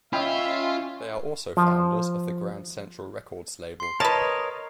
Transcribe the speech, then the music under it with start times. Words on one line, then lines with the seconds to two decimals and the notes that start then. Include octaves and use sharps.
They are also founders of the "Grand Central Records label".
0.13 C#4 F4 D#5 E5 G5 B5
1.57 F3
3.80 C6 C7
4.00 A#4 B4 C#5 D#5 A5